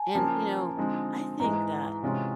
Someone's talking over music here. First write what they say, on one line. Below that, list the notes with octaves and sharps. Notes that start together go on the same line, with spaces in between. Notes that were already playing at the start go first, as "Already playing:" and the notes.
and, you know, I think that,
Already playing: G#5 A5
C#3 F3 A#3 A5
D3 F3 G#3 C4 D#4
G#2 E3 G#3 A#5
C3 E3 G#3 C#4 F4